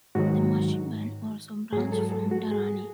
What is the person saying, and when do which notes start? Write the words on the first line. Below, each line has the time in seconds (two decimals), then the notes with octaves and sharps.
The Musahiban also branch from Durrani.
0.15 G#2 D#3 F#3 F#4
1.73 G#2 F#3 G#4
1.92 A4
2.12 A4
2.31 F#4
2.51 G#4